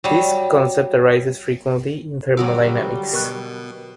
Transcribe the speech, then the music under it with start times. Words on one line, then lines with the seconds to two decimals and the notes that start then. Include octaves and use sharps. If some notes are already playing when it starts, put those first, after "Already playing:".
This concept arises frequently in thermodynamics.
0.04 F#3 G3
2.37 D3 F#3 G3 F#4 D6 E6
3.13 B2 A#4 C#6 F#6